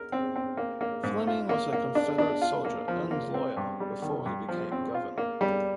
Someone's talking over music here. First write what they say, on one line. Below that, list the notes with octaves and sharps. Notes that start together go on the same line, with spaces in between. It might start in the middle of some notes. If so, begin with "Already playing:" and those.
Fleming was a Confederate soldier and lawyer before he became governor.
Already playing: A#4
C4
C4
A#3
A#3
G#2
F4
A#3
A#3
D4
D4
F4
A#3
F3
A#3
C4
G2
G3
D#3
G2
F3
C4
F4
A#3
G3